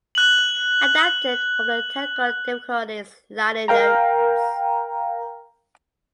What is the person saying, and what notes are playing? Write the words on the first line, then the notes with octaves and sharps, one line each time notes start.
Adapted from the "Technical Difficulties" liner notes.
F#6 F#7
A#4 F5 G5 A#5